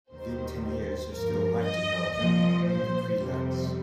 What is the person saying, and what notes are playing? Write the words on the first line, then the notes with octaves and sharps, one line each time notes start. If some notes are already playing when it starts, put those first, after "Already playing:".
Vingteniers are still elected, however, in the cueillettes.
D#2 D#3 G3 C5
C5
G2 F3 A#4
D#5
C2 A#2 F3 D#5
C5
F2 C3 G3 C5